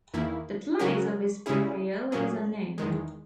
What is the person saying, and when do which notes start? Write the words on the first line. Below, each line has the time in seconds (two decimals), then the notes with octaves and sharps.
The place of his burial is unknown.
0.14 E2 D#3 A#3 E4
0.79 C#3 F#3 C#4 F#4 A#4
1.46 C#3 G#3 C#4 E4 G#4
2.12 A#2 F#3 A#3 C#4 G#4
2.78 E2 D#3 G#3